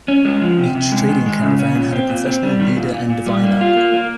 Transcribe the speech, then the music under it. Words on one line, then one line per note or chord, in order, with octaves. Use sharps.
Each trading caravan had a professional leader and diviner.
C#4
G#3
F3
C3
C3
G#3
D#3
G#3
C#3
C#4
A#2
C4
A#2
C4
G3
D#3
A#2
A#2
A#2
G3
A#3
F4
A#3
A#3